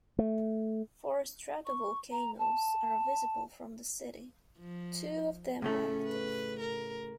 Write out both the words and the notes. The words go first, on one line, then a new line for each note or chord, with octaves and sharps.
Four stratovolcanoes are visible from the city, two of them active.
A3
C#6
A#5
A5
F3
A2 C#3 A3 C#4 E4
B4
A#4